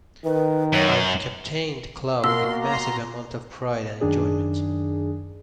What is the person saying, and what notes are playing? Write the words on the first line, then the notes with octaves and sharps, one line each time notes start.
I've captained the club with massive amounts of pride and enjoyment.
D#3 B4
F#2 C#5
B2 A#3 F4 A#4 C6 E6 F6
A#5 C6
F#2 D#3 D4 G#4